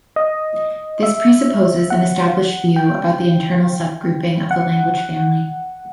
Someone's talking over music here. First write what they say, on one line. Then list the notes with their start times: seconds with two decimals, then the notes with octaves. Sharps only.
This presupposes an established view about the internal subgrouping of the language family.
0.16 D#5
1.03 E5
1.90 F#5
2.76 G5
4.51 F#5